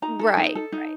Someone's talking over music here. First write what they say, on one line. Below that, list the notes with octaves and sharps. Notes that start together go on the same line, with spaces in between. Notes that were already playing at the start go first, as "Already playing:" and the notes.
Right, right,
D#4 A#5
A4
D#4
A4
D#4